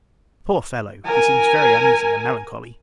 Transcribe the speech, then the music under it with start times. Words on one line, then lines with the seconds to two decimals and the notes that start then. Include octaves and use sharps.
Poor fellow! he seems very uneasy and melancholy.
1.06 A#4 G#5